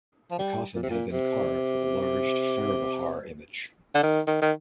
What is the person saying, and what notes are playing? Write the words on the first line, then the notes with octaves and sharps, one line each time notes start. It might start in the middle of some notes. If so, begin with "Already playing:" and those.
The coffin had been carved with a large faravahar image.
F3
G3
A#2
C3
A#2
C3
D3
D#3
D#3
D#3